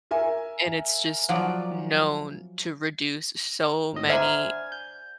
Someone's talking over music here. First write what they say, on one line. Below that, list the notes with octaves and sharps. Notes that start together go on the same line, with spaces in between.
and it's just known to reduce so many,
A#4 E5 G#5
F3 F#3 D5
G#1 A2 D#5
D3 C5 E5 F#5 G#5 A#5 F6 G#6
G6